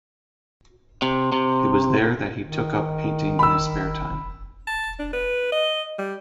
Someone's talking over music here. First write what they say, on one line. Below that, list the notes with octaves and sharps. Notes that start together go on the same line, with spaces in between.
It was there that he took up painting in his spare time.
C3
C3
D#3
B5 E6
A5
D4
B4
D#5
G3